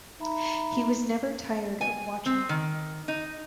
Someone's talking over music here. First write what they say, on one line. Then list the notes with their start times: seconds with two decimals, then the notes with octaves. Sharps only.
He was never tired of watching.
0.20 D#4 E5 A#5 B5
1.81 G#5
2.26 C4
2.49 D#3
3.08 D#4